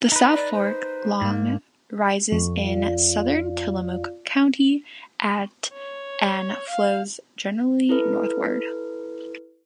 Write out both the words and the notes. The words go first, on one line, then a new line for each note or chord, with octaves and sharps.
The South Fork, long, rises in southern Tillamook County at and flows generally northward.
D#4 B4
D5
C5
G#2 A#3
F2 C#6
F4 D5 F5
C#5
F5
E4 A4 B4